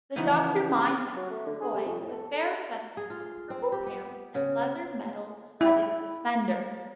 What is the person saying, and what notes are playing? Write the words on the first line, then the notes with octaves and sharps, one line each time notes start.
The Doctor Mindbender toy was bare chested with purple pants and leather metal-studded suspenders.
C#3 E3 F3 B3 D#4 F#4
F#3
A3
D3
G#4
C3
F2
A2
A4
G#4
F4
C4
G4
B3
C#3
E4